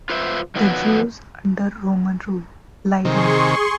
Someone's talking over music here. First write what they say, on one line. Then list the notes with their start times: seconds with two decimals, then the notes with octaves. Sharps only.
"The Jews Under Roman Rule" Leiden.
0.10 F4 B4 C5 E5
0.56 D#3 F3 F#3 B3 F#4 B4
3.05 C3 D#3 G#4 C6 C#6